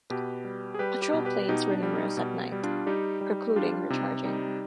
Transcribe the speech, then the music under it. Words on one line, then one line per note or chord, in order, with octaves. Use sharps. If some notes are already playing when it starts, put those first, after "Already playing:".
Patrol planes were numerous at night, precluding recharging.
B2 G4 B4
G3
G#4
G3 G4 B4
G4 B4
B2
G4 B4
B2 D#4 G4
D4
G3
D#4
B2
G3
D4 F4
G3 D#4 G4
G3
G3 D4 F4
C3 D#4
G3 D#4